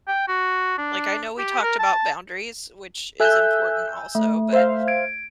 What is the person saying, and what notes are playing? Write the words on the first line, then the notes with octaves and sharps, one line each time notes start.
Like, I know we talked about boundaries, which is important also, but
G5
F#4
D4
G4
A#4
A5
A4 E5 G#5 E6 F#6 G6
A3
C5 E5 F5
G#6 D7